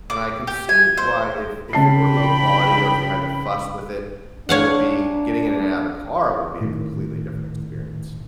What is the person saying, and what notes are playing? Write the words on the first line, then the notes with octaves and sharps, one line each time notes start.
And I can see why if if it were low quality, or if you had to fuss with it, it would be getting in and out of the car would be a completely different experience.
D6
G4
G#5
C5
C#3 G5 A5 B5 C7
D4 C#5 F5 F#5
A2 D#3